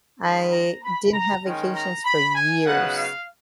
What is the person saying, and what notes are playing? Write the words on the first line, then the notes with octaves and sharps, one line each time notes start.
I didn't have vacations for years,
D#3 G#3 C#4 B5
A#5
B5
A#5
D#3 G#3 C#4
A#5
B5
G#5
C#3 F#3 B3 D#4 F#5
F5